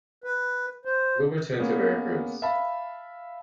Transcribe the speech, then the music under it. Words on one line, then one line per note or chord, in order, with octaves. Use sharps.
We’ll return to Veracruz.
B4
C5
A#3 B3 C#4 G#4
E5 F5 A5 B5